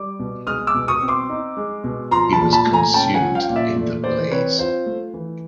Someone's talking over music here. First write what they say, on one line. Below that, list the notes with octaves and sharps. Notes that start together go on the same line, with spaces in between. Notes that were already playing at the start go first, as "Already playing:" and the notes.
He was consumed in the blaze.
Already playing: G3 D6
B2
G#3 D#6 F6
D6 E6
B2
C#6 D#6
C4
C6 D6
D#4
G#3
B2
F3 A#5 C6
A5 B5
A#2
A5 B5
A3
G#5 A#5
C#4 G5 A5
F#5 G#5
F3
F5 G5
A#2
D5 E5
A3
E3 C5 D5
C4 B4 C#5
F4 C5
A3
E3